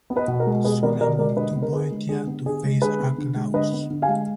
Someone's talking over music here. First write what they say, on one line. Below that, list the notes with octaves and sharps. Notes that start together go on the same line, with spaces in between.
Sulla moved to Boeotia to face Archelaus.
B3
B4 D#5
B2
A#4
G#3
B2 G#4 B4
B3 A#4 D5
B2 A#4 D5
G#3 A#4 D5
D3 B4 D#5
B3
A#4
D3 G#4 B4
G#3
D3 G#4
B3
D3 G#4
G#3
D3 G#4 B4
B3
D3
G#3
D3 B4 D#5
B3
D3
F5 G#5
G#3